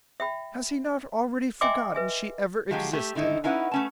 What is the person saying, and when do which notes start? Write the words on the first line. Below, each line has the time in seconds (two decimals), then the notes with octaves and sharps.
Has he not already forgotten she ever existed?
0.20 E5 G5 B5
1.61 D#5 E5 G5 G#5 C6 D6
1.95 B4 E5 G#5
2.71 F3 F#3 G#3 F#4 G4
2.93 A3 G4
3.15 D3 D#3 D#4 E4
3.44 C#4 D#4 E4 B4 F#5
3.71 A3 C#4 A5